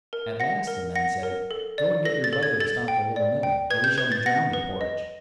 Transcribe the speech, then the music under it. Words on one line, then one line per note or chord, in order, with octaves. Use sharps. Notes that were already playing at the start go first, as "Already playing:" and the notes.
At last the men said, "Go and get your brother to stop the Little Mill, or we shall be drowned in porridge."
A#4
F#5 A#6
A#4
F#5 A#6
A#4
A4
D5
A4 A#6
A6
A4
G#6
A4 A6
G5
D5
G5
B4 G#6
G6
B4 G#6
A6
F#5 A#6
B4
D#5